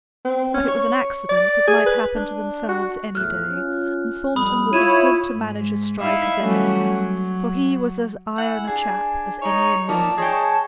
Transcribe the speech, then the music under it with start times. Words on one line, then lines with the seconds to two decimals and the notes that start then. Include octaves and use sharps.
But it was an accident that might happen to themselves any day; and Thornton was as good to manage a strike as any one; for he was as iron a chap as any in Milton.
0.24 C4
0.54 C#4
0.68 C#5
1.29 D5
1.67 G#4
1.86 B4
2.15 D4
2.68 F#4
3.15 E2 A2 F6 F#6
3.50 C#4 F4
4.36 F2 G3 B5 D#6
4.73 E4 F4 C#5 D#7 E7
5.36 G#2
6.00 D#4 E4 E5 F5
6.39 F#3 G3 A3 C#4 F#4
6.86 F#3
8.38 E4 F#5 G#5
8.68 D4 G#4
9.42 D#4 C#5
9.88 F3 A#3 D#4 C#5 D5 A5
10.18 G#4 C#5 D#5 G5